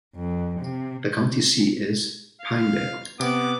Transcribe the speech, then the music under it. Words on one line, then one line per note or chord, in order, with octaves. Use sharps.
The county seat is Pinedale.
F2
C3
F5
C3 B3 D6